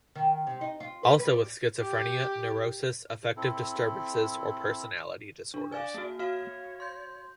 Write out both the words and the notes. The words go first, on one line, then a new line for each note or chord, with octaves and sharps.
Also with schizophrenia, neurosis, affective disturbances or personality disorders.
D#3
C3
D#4
F4
B4
B4
D5
G4
C4 E4 A4
D4
D5 F5 G#5
A#3 F#4
F#4 C#5 F5
C6 G6